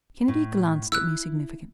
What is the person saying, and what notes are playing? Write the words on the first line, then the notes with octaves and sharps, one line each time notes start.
Kennedy glanced at me significantly.
A2
E4 E6 F#6